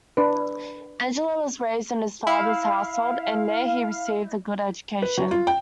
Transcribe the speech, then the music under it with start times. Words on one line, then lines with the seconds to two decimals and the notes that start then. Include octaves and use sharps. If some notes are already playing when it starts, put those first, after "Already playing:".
Angelo was raised in his father's household and there he received a good education.
0.17 D4 B4
2.27 E4 F5
5.02 B4
5.17 F#3
5.31 F4
5.47 G5